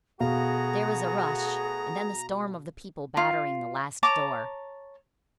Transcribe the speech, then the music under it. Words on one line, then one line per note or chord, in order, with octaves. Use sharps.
There was a rush, and then the storm of the people battering the last door.
B2 A3 B3 F#4 G#4 F5 A#5
F4
C#5 A5 A#5 D6